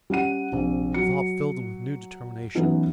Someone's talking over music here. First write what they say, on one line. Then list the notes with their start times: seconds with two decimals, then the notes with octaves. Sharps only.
The thought filled them with new determination.
0.10 G3 C#4 F#5 D#7
0.52 A#1 C3
0.94 F#3 C#7
2.55 E3 F#3 B3 C#4 D#4 F#4